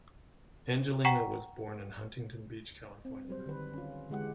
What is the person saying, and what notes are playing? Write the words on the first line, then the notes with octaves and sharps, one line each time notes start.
Angelina was born in Huntington Beach, California.
F#5 G5 A#5 C#6 B6
C4
F#3 G3 C5
D3 D#3 B4
C#4 F4
D3 E3 G#3 G4 F#5